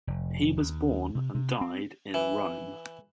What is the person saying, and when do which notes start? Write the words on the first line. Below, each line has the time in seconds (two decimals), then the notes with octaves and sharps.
He was born and died in Rome.
0.07 F1
0.57 D#2
1.15 C3
1.35 C3
1.61 C4
2.14 E3